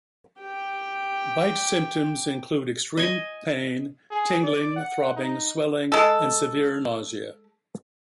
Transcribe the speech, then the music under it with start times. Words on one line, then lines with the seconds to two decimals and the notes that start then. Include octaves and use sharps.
Bite symptoms include extreme pain, tingling, throbbing, swelling, and severe nausea.
0.40 G4 G5
2.97 D#5 G#5
4.11 G#4
4.43 D5
4.76 F#5
5.16 D#4
5.92 G#3 A4